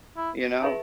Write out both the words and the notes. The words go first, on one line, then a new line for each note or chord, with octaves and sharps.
you know?
E4
D#4 G#4 B4 E5 A5